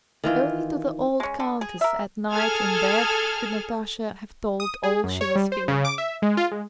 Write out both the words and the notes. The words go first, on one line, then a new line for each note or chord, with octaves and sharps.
Only to the old countess at night in bed could Natasha have told all she was feeling.
D#3 E3 F4
G#3 C#4
D3
G#4
A#4 E5
G#4 A4 F6 G#6
D#6
G#4
F#2
C#5
G3
C5
C#3
D6
E5
G#3
F4
G#3